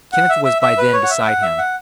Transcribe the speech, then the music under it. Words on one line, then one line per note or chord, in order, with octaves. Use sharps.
Kenneth was by then beside him.
F#5
E5
E5
E5
B4
C#5
F#5
E5
F#5
E5
F#5